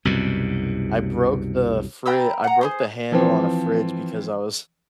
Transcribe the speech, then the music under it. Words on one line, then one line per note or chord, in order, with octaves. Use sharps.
I broke the fri I broke the handle on a fridge, because I was
C2 F#2 B2
G5 A#5 B5 E6
F#5 A#5
G#4 A#4 C5
E3 F3 C4